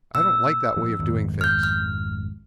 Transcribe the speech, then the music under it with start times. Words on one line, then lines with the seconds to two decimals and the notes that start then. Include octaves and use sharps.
I don't like that way of doing things.
0.15 A#2 E6
0.77 F3 B3
0.99 G#1 F2
1.41 F6 G6
1.63 F6